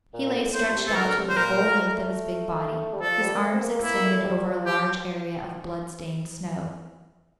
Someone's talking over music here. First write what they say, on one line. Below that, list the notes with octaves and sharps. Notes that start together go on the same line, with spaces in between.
He lay stretched out to the full length of his big body, his arms extended over a large area of blood-stained snow.
A#2
A2
A2 C5
A#2
C3
E3 A4
D3 A#4
C3
C5
A#2 A#4
F3
G3
A3
G3
F3 A4
G3
A#3
A3
C4
A#3
A#3 E4
A3
G3
F3
F3 G4